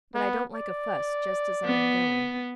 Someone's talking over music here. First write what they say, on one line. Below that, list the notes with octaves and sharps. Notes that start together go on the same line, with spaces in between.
But I don't like a fuss just as I am going.
B3
D5
B3